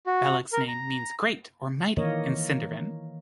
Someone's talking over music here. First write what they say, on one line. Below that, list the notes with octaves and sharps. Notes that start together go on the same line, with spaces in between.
Beleg's name means "great" or "mighty" in Sindarin.
F#4
A#4
A#5
D#3 E3 A#3 A#4 C#5 D#5